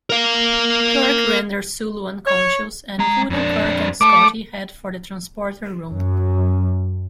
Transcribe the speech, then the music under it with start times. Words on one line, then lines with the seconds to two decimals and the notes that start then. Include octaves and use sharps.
Kirk renders Sulu unconscious, and Uhura, Kirk, and Scotty head for the transporter room.
0.10 A#4 F5
2.27 C#5
2.99 G#3 A#5
3.30 F2 D4
4.01 A3 A4 D6
5.89 F#2